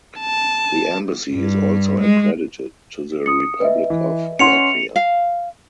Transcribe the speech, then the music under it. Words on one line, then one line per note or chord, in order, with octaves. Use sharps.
The embassy is also accredited to the Republic of Latvia.
A5
G2
G#3
D#6 C#7
B4 D#5 E5
E3
C#4 F#5 C6 C#7 F7
F5